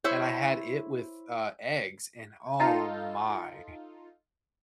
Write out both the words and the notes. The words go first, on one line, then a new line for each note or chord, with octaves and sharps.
and I had it with, uh, eggs and oh my.
E4 C5 C#5
D#4 F4 A4